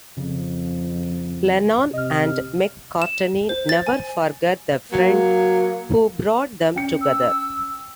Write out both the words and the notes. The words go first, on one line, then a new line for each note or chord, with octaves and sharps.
Lennon and McCartney never forgot the friend who brought them together.
F2 C#3
C3 D#5 F6
E7
C5
A6
G#5
F#3 A#3
C#4 G5 C#7
E6